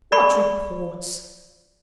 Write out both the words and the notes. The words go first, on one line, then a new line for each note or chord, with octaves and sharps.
"What reports?"
D5 B5 C#6